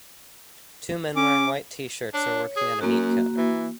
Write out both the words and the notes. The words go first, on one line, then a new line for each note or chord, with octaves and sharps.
Two men wearing white tshirts are working at a meat counter.
C#4 D6
D4 C#5
G#4
F#2 A#3 F#4
E3